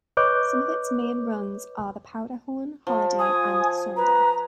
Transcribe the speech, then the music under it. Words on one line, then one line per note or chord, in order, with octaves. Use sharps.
Some of its main runs are the Powderhorn, Holiday, and Sun Deck.
B4 C#5 D#5 D6 F#6 G6
F3
G#5 D#6
B4 A#5